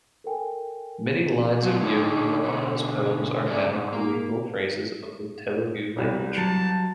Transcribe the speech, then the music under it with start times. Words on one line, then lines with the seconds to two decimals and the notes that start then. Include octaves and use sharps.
Many lines of yogi Vemana's poems are now colloquial phrases of the Telugu language.
0.24 A4 A#4 G5 G#5
1.63 F#3 F4
1.81 D3 D#4 C#5
2.44 B2 D3
3.46 G2 C#3 G#3 A3 D5
3.73 G#2
3.92 A#3
5.96 C2 G3
6.38 F#3 A5